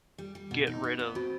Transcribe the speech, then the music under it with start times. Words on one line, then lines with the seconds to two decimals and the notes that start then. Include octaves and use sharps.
get rid of
0.18 G3
0.35 G3
0.51 B2
0.67 D#4
0.84 B3
0.99 B3
1.15 C4 F#4